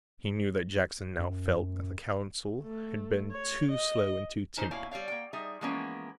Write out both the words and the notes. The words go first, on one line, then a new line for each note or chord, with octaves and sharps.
He knew that Jackson now felt that the council had been too slow and too timid.
F#2
A3
C#5
D#5
C#4 D#4 C5
B2 A#3 E4 C#5 F5 G#5
G3 A#4 C#5 F5
A#3 G5
G3 D#4 G#4 E5
E3 F3 G#3 A#3 B3 C#4